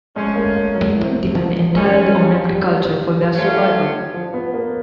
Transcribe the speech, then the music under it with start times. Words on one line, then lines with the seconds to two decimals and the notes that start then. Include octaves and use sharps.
People depend entirely on agriculture for their survival.
0.16 F3 G#3 A3 C#4
0.36 A#3
0.56 A#3
0.75 F#3
0.95 E3
1.31 F#3
1.34 F3
1.74 D#3 F#3 G#3 C#4
1.95 G3
2.14 G3
2.35 F#3
2.55 G3
3.34 F#3 A3 C#4 F4
4.14 F3
4.34 B3
4.54 A#3